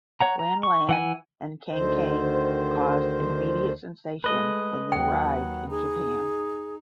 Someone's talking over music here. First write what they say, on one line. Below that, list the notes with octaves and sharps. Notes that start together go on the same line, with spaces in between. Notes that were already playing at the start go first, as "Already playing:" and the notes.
Lan Lan and Kang Kang caused an immediate sensation when they arrived in Japan.
C#5 F#5 A#5
A#5
C#6
E3 F#5 G#5
D2 D3 D#3 C5
G#3 A3 B4 D#5
D#2 F#3 F#5 G5
D#4 G#4